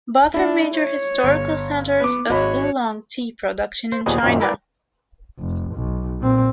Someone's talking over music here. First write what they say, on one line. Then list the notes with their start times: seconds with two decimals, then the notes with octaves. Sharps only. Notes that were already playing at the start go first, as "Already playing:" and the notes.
Both are major historical centers of oolong tea production in China.
0.34 D4 E4
0.75 C#5
1.23 G1
2.00 B3 B4 D6
2.29 G#1 F#4 C#5 D#5 B5
3.92 C5
4.06 D#2 A#2 F3 B3 G#4 D#5
4.23 F#2 A#2 D#3 C4
4.40 E4 A#4 B4 D5 F5
5.39 F1
5.75 B1
6.19 A#2 C4